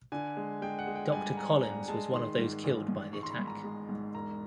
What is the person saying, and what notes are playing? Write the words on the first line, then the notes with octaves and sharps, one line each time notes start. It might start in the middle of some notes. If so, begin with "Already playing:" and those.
Doctor Colins was one of those killed by the attack.
D3 G#5
G#3
G#3 G5
F#5
G#3
G5
G2 G#5
G2 A#5
G2 A#5
G#3 A5
D#3 C6
G#2
A1
G#2
G#3 C#6
C6
B5
G#2
A#5
G#3
G#2
E1 A#5